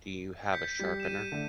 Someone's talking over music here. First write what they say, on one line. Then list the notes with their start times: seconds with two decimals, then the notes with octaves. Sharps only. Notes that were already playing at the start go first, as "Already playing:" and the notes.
Do you have a sharpener?
0.52 G6 B6 C#7
0.79 G3
1.00 D#7 E7
1.32 D3 A3